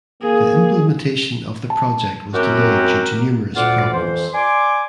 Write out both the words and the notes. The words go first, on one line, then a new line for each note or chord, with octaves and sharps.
The implementation of the project was delayed due to numerous problems.
A#3 G#4
A5
F#2 C4 F#4 G4 A#4
D2 A#2 F4 D5 F#5
F2 E3 C5
D5 G#5 C6 D6